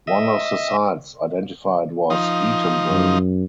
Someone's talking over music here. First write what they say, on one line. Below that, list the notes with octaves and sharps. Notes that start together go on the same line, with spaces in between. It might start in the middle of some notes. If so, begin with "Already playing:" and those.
One of the sites identified was Eatonville.
D#5 E5
F3 D#4
F#2